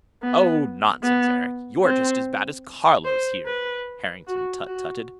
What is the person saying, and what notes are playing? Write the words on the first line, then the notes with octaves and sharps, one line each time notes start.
"Oh, nonsense, Eric; you're just as bad as Carlos, here!" Harrington tut-tutted.
B3
B3
C4
C5
B4
F#4
F#4